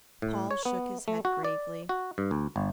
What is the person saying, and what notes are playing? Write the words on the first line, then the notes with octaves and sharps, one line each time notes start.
Paul shook his head gravely.
A2
C#5
B3
A3
F#4
D5
F#4
G2
D2
G1